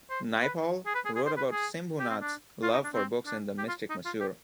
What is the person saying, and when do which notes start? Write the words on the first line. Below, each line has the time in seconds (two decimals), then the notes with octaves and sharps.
Naipaul, wrote about Simbhoonath's love for books in The Mystic Masseur.
0.10 C5
0.42 B4
0.86 G#4
0.95 B4
1.05 G#4
1.16 G#4
1.26 C5
1.37 B4
1.52 G#4
2.00 G4
2.10 C4
2.21 D4
2.63 F4
2.73 D#4
2.84 D4
2.94 C4
3.26 D4
3.58 G4
3.68 F4
3.90 D#4
4.06 F4
4.21 G4